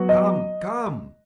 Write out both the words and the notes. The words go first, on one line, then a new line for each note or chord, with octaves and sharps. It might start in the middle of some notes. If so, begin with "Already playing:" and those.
"Come, come!"
Already playing: F#3 B3 F#4
D#5